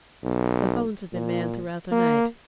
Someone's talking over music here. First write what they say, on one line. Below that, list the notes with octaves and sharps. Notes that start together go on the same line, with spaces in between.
The phones had been manned throughout the night.
B1
A#2
A#3